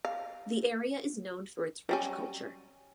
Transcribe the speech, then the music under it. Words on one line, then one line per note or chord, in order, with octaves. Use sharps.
The area is known for its rich culture.
F5
F#3 G3 C#4